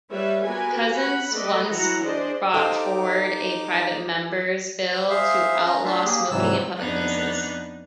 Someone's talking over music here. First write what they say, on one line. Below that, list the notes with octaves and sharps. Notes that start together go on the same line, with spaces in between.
Cousens once brought forward a private member's bill to outlaw smoking in public places.
G3 B4 C#5 E5
B3 F#4 G4 A#4 B4 G#5
F#5 B5
A3 A4 B4 D5 D#5
E3 F#3 E4 F#5 A#5
D4 G#4 C5 D5 D#5
D#4 G4 A4 C5 D#5 F5 D6
C5
G#4 C5 E5 F5
C#4 A#5
F#3 A3 D4 F4 E5
A#3 G4 G#4
G#2 C3 E3 F#3 G3 E6
F2 B3 D4 D#4 F#6